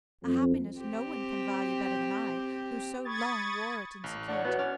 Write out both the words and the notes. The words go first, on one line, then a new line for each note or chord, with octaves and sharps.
A happiness no one can value better than I, who so long wore it in security.
F2
C4 G4
B5 C#6 D#6 G#6 A6
A1
D4 C#5 D5 F#5
B3 E4 F#4
C#4 C#5 D5 F6